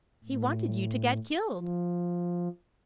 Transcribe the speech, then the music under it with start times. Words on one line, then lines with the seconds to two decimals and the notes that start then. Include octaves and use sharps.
He wanted you to get killed.
0.24 A2
1.58 F3